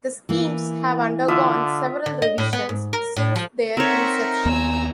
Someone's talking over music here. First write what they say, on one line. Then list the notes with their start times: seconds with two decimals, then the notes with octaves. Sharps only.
The schemes have undergone several revisions since their inception.
0.29 E3 A#3
1.28 D3 F4 E5 D#6
2.06 D3
2.22 D#5
2.38 A2
2.53 B3
2.69 G#2
2.93 A#4
3.16 A2
3.36 F3
3.77 C4 D#4 A4 A#4 C#5 D#5 E5 F#5
4.45 D#2 B3 G#5 A#5 E6